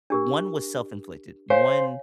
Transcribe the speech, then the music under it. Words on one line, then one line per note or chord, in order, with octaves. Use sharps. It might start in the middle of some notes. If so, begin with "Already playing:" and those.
one was self-inflicted. One,
D4 G4 A#4
C5 C#5 F5 G#5